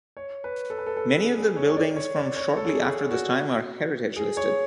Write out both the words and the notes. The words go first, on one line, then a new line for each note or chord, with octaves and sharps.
Many of the buildings from shortly after this time are heritage listed.
C#5
B4
A4
B4
A4
A4
G#4
G#4
C#5
C#5
D5
C#5
D5
C#5
A4
G#4
A4
G#4
F#4
G#4
C#5